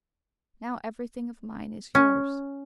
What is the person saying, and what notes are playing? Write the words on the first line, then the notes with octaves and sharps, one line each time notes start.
Now everything of mine is yours.
C#4